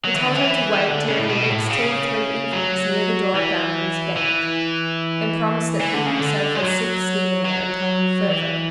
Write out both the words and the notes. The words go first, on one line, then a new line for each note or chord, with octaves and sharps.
He told him to wait during the next two or three evenings near the door of Bounderby's bank, and promised that he himself would seek Stephen there and tell him further.
F#3
E3
D3
E3
D3
C#3
A2
B2
A2
C#3
F#3
E3
E3
E3
D3
C#3
D3
G#3
F#3
F#3
E3